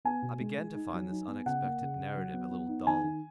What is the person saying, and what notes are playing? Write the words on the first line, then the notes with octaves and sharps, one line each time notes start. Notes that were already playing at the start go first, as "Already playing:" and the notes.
I began to find this unexpected narrative a little dull.
B3 G#5
B2
G#3
G#3
D#4
F#3
D#4
B3
C#3 F#5
A#3
C#3
C#3
F#3
B3
B3
D#4
D#3 G#5
D#3